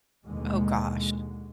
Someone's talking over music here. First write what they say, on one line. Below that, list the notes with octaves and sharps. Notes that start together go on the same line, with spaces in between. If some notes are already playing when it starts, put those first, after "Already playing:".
Oh, gosh.
D#2 B2 D3 G#3